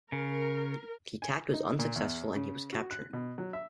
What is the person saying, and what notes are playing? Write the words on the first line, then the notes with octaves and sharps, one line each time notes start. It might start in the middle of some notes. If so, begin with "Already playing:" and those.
The attack was unsuccessful and he was captured.
C#3 A#4
G#5
D#4
A#2
E2
C#3
F#4
F#6
B2
F#3
E5